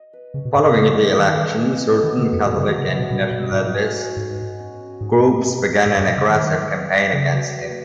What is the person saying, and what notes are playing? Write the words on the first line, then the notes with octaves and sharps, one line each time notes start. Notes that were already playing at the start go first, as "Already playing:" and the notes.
Following the election, certain Catholic and nationalist groups began an aggressive campaign against him.
Already playing: D#5
B4
C#3 C#4
B2
G#2 C#4
C#3
C#3 D#5
B4
D#3 C#4
C#4
D#5
F#4
D#3 B3
C#3
B3
F#2
G#2 D#5
C#3
D#3 F#4
C#3
C#3 B3
B2
B2 B3
B2
B2 D#5
G#2 F#4
C#4
C#4
G#2 D#5
F#4
C#4
C#4
G#2 G#4
B3
G#3
G#3
G#2 G#4
F#2
B2 B3
C#3
D#3 G#3
G#3
B4
C#4
C#3 F#3
F#3
B4